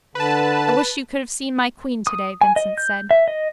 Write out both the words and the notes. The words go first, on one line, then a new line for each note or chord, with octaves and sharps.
I wish you could have seen my queen today, Vincent said.
D3 B4 A5
D#6
G#5
D#5
G6
E5
D#5